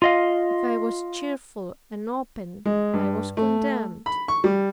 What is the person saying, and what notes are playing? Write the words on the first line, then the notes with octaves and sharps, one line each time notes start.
If I was cheerful and open, I was condemned.
F4 D#5 F5
G#3
G2
A3
B5
C#6
G3